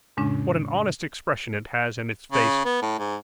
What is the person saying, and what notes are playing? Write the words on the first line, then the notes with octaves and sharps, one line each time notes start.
What an honest expression it has in its face!
F2 A2 C#3 G#3 C#4 D4
C#3
B3
A2
G#2